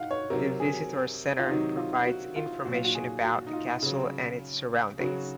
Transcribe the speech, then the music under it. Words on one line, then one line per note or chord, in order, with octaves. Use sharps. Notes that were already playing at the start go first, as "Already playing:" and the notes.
A visitors centre provides information about the castle and its surroundings.
Already playing: F5 F#5
C#5
C3 F#3 A#4
G#4
F4
C3 D#3 F#3 D#4
F4
F#4
F4
A#2 F#3 F#4
F4
F#4
G#4
F#4
D#4
F4
C#3 F#3
C#3 F#3 F#4